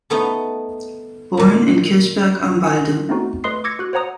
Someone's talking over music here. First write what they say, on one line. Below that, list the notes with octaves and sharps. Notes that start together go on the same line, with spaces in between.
Born in Kirchberg am Walde.
A3 B3 D#4
A#2 D#3
F#5 G#5
A3 B3 C4 D#4 F#4
A3 B4 D#5 C6 D#6 C7
D6 E6 G#6 A#6 C#7
F#4 F#6
C5 C#5 F#5 A#5 D#6